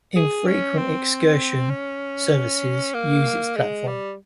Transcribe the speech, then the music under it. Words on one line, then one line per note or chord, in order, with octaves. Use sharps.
Infrequent excursion services use its platform.
G#4
C#4
C4
C#4
A#3
G#3
G3